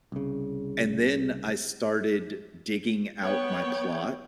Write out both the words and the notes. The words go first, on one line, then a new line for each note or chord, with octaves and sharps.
And then I started digging out my plot
C2 C#3
B3 C#5 G5